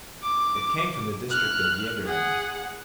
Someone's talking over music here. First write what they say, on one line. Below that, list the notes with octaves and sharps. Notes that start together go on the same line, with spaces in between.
It came from the district of Jaederen.
D6
F6 F#6
G#4 F#5